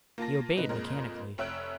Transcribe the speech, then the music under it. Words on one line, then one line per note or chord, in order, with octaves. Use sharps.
He obeyed mechanically.
A#3 F4 A5 A#6
C3 D#4 B4
F2 A#2 G#3 A#4
F1 C#5 E5 E6 F#6 D7